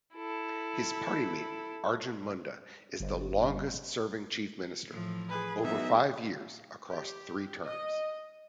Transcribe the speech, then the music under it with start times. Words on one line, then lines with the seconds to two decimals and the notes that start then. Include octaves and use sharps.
His party-mate Arjun Munda is the longest-serving chief minister-over five years, across three terms.
0.15 E4 A4
3.00 G1
4.90 A2 E3 F3
5.29 G#4 B4
5.64 F#3 B3 D#4 F#4 E5
6.89 G4
7.62 D#5